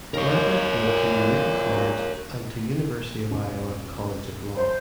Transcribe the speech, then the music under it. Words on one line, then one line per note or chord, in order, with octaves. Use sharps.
Lepper went to Eureka College and to University of Iowa College of Law.
D#2 A#4 C#5
A#2
F2 B2 C#4
C5